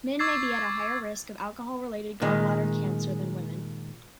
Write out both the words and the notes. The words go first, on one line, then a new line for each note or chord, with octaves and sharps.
Men may be at a higher risk of alcohol-related gallbladder cancer than women.
C#6 D6 E6 G#6 A6 C7
A#2 D#3 G#3